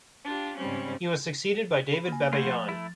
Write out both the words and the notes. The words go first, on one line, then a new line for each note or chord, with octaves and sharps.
He was succeeded by David Babayan.
D4 F4 G4
G#2 C#3 G3 C4 C#4
B5
A#3 G#5
A3 F4 F#4 C5 B5 G#6
F3 A6
A3 E4